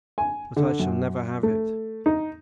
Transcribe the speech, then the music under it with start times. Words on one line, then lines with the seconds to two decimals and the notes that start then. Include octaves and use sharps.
"But I shall never have it."
0.18 G#5
0.56 D3
0.79 F#2
1.43 A3
2.06 D#4